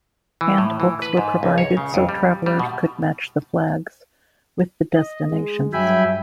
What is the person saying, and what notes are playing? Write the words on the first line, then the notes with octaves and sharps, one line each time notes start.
Handbooks were provided so travelers could match the flags with the destinations.
E3
A2
E3
B4
G#2
C#2
C#5
C#3
F2
G3
G3
B2
D#5
G#3
G2 F#3 E5 G5 G#5 B5